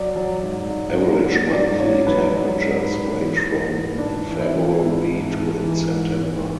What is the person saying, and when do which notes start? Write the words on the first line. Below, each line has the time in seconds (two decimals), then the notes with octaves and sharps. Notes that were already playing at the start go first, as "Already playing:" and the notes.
Average monthly temperatures range from in February to in September.
Already playing: F#3 D5
0.16 F#3
0.43 G#2
0.70 G#2
0.98 F#3
1.24 F#3
1.52 G#2 D5
1.80 G#2 C#5
2.07 F#3 B4
2.34 F#3
2.62 G#2
2.89 G#2
3.16 E3
3.44 E3
3.71 G#2
3.98 G#2 D4
4.26 E3
4.40 E4
4.53 E3
4.81 G#2
5.08 G#2
5.36 E3
5.64 E3
5.90 G#2
6.19 G#2